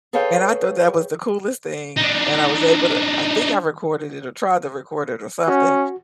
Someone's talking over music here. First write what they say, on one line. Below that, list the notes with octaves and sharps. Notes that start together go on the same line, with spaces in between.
And I thought that was the coolest thing, and I was able to I think I recorded it or tried to record it or something,
G#4 A4 B4 C#5 F5 G5
D4 D#4
C#4 F#4